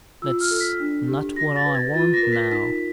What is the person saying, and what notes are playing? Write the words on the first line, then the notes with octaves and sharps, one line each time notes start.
That's not what I want now.
F4 E6
F6
A4
B6
D4
G4
F#4 A#6
A6
B4
G#6
F4 A6
A#6
A#4
B6
D#4 B6